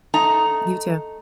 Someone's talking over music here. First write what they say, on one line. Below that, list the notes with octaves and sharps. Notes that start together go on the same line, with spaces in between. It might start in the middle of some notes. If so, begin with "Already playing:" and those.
You too.
A3 D#4 A#5